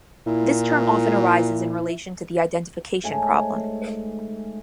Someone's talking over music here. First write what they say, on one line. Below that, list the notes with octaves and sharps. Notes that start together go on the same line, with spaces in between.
This term often arises in relation to the identification problem.
A#2 E4
G#2 A3 C#5 G#5